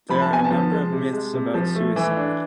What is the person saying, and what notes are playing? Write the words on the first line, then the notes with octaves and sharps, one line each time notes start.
There are a number of myths about suicide.
F3 B5
A5
B3 G#5
A5
F3
G#3
C3
G#3
C3
F3
A3
E3
D4